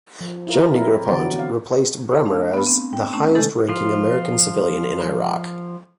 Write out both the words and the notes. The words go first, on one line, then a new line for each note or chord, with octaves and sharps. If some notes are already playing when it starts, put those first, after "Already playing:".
John Negroponte replaced Bremer as the highest-ranking American civilian in Iraq.
F3
E4 F4 A#4
C4 E4 A#4
D3 E3 F#3 B3 F#4 D5
C4 F5
A3 D4 D#4 F5
B3 B5
C4
G5
A3 C#4 D#4
C3 D#3 G#3 A3 D#4 A4
F3 F4